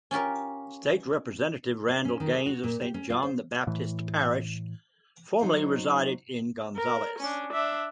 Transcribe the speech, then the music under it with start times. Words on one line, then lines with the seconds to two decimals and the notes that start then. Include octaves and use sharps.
State Representative Randal Gaines of Saint John the Baptist Parish, formerly resided in Gonzales.
0.11 C#4 F4 G4 A#4
1.88 C5
2.05 C#4
2.20 D#3
2.34 G#4
2.46 F#4
2.63 A#2
2.82 G4
2.94 C#4
3.10 F4
3.23 C5
3.67 A2 E3
5.41 F#3 D#4 C5
6.76 A#4
7.19 C#4 D4
7.53 D4 E5